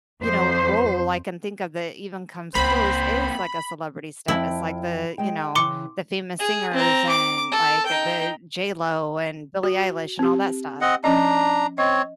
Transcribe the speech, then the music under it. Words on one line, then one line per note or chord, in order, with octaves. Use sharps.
you know, role I can think of that even comes close is, like, a celebrity status, like, the you know, the famous singers, and like, uh, the J.Lo, and Billie Eilish, and all that stuff,
F2 C5
C#2 A#3 C4 C5 B5
F2 F3 E4 G5
G#3 G5
C#3 E3 C6 D6 C#7
G#4
C4 A#5
D6
A4
D#4 G5
F#4
C4 G4
C4 D#5 F#5
F3 C#4 D4 D#5 A#5
C4 C#5 D#5